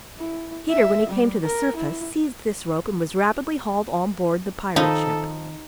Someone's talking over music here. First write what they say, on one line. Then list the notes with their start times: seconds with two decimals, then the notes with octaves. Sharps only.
Peter when he came to the surface, seized this rope and was rapidly hauled on board the pirate ship.
0.19 E4
0.69 E5
1.09 G3
1.43 A#4
1.76 E4
4.76 D#3 F3 D#4 A4 B5